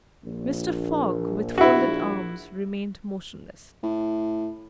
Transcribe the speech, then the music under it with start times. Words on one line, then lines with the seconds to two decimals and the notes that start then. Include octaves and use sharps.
Mr. Fogg, with folded arms, remained motionless.
0.24 A#1
1.58 E4 F#4
3.83 A2